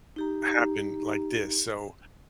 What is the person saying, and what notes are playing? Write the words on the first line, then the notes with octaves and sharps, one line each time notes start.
happen like this, so
D#4 G4 A#5